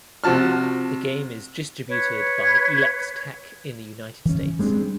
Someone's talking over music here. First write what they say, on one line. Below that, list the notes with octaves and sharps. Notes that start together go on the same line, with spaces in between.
The game is distributed by Elex Tech in the United States.
C3 F3 F#4 A5 F6
B4 C#5
E3 C#4
G3 G#3 C4 D4